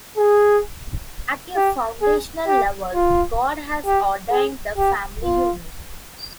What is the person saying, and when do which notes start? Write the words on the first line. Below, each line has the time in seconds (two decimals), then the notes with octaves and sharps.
At a foundational level, God has ordained the family unit.
0.17 G#4
1.56 G4
2.02 G#4
2.47 G4
2.94 F4
3.86 G4
4.31 G#4
4.77 G4
5.23 F4